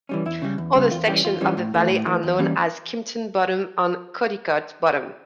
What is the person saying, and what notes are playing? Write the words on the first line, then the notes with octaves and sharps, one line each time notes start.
Other sections of the valley are known as Kimpton Bottom and Codicote Bottom.
E3 G3 C#4
E2 E4
C#3 G3
E2
C#3 G3
E2 F4
E3 G3 C#4 G4
E2 F4
E3 G3 C#4
A2
E3 A3
A2
E3 A3
E2
E3 G3 A#3 C#4